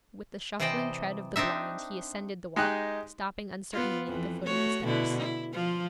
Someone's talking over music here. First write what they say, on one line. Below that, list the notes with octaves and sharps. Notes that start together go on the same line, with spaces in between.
With the shuffling tread of the blind he ascended the walk, stopping uncertainly at the foot of the steps.
C3 E3 C5 D5 D#5 G5
C4 D4 D#4 E5
G#3 D#4 G4 F#6
B3 F4
F2 E3
A3 F#4 C#5
B2 D3 E4
E4
F3 F4